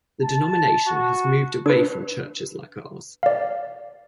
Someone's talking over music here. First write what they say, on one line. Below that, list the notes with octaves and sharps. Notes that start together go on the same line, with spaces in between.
The denomination has moved away from churches like ours.
A5
F#4
D4 B4
D5 F5